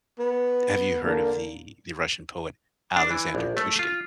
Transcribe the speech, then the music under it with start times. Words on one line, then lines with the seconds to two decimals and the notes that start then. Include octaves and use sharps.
have you heard of the the Russian poet Alexander Pushkin?
0.19 B3
1.03 D3 A#3
2.96 D4
3.11 E3
3.35 A#1
3.57 A3
3.79 F4